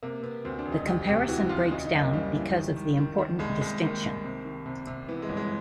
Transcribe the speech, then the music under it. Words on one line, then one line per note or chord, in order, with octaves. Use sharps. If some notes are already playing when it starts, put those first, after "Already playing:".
The comparison breaks down because of the important distinction.
C3 A#3
C3 B3
D2 C4
D4
E1
D#4
D2 G4
C3 G4
E3 F#4
D2 F4
C#3 D#4
D#4
F#1
A#3
C#3 G3
E3
D#3
D#3
D#3
D#3
C2 G#3
C2 G#3
D#3 A#3
C2
C3
D#3
C3
C3
E3 B3
G#3
G1
G#3